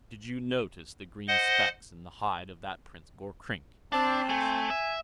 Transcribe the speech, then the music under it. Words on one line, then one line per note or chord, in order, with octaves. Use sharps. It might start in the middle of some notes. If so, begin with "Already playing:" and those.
"Did you notice the green specks in the hide of that Prince Gorkrink?" he asked.
C5 D#5 F#5
C4 D4 A5
A3 G#5
E5